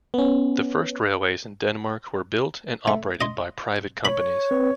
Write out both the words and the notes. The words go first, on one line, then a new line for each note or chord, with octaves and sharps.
The first railways in Denmark were built and operated by private companies.
B3 C#4
A3
D#5 C6
C#5 B5
C4 B4